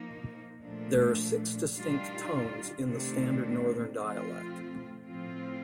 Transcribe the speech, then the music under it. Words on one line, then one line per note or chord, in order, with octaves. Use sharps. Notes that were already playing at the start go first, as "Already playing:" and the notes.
There are six distinct tones in the standard northern dialect.
Already playing: F3 A#3 D#4
A#2 F3 A3 D4
D#3 G3 D4 F4
C3 D#3 A3 D4
F3 A3 C4 F4
A2 F3 C4 F4